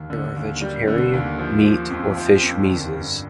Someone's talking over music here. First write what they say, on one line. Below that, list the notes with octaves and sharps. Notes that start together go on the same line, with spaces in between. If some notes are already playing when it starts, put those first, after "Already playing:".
There are vegetarian, meat or fish mezes.
Already playing: D#2
D3
D#2
G3
D3
D#2
F3
F3
F2
F3
F2
D3
G2